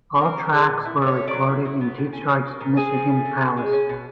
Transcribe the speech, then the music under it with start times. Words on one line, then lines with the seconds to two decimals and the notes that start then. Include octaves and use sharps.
All tracks were recorded in Detroit's Michigan Palace.
0.21 C4 A#4
0.37 F3
0.53 G#3
0.69 A#2
0.85 E4
1.01 A3
1.07 C#5
1.17 C#4
1.28 D5
1.33 F#3
1.49 E4
1.65 F#3
1.81 B3
1.98 A2
2.12 C#4
2.28 F3
2.45 A#3
2.61 A#2
2.76 C4 G#4
2.93 F3
3.10 A3
3.25 D3
3.41 B2
3.57 G#3
3.72 C#4
3.89 B2